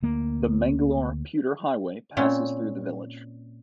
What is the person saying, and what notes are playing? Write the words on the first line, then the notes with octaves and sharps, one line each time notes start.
The Mangalore-Puttur highway passes through the village.
D2 A#3
A#2 C4 C#4